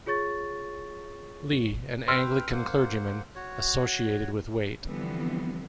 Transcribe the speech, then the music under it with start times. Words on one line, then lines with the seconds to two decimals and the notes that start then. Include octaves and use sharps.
Lee, an Anglican clergyman, associated with Waite.
0.06 F4 G#4 C#5 C#6 A6
2.08 B4 G5 C6 E6 F6
2.52 A#3 C5 F#5
3.35 F#4 C#5
4.84 D3 E3 F3 G3 B3 C4